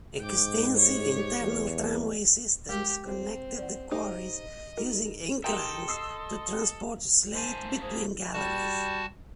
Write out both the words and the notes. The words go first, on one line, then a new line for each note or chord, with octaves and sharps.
Extensive internal tramway systems connected the quarries using inclines to transport slate between galleries.
G#2 G5 D6
G4 C#5
E2
G#3 G4 A#4
C4
D5 F#5
D#4 G4 C5 D#5
D#4 F#4 A#4
D#4 G4 A4 A#4 G5 C6
D#5 D#6 E6 C7
G#2 A#3 C5 G#5 A5
G#4 C5
G3 F#4 A5